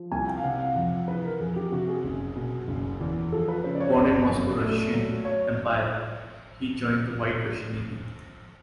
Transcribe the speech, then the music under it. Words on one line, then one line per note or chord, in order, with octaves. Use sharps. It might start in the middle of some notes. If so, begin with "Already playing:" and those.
Born in Moscow, Russian Empire, he joined the White Russian Navy.
Already playing: F3
C2 G#5
G5
F5
C3 F#5
F5
F2 F#5
E3 B4
A#4
F2 G#4
G4
C3 F#4
G#4
F#1
B2
F#1
E2
F3 A4
B4
C#3 C5
D5
C#5
G1 D5
F#2
A3
F#3
C#5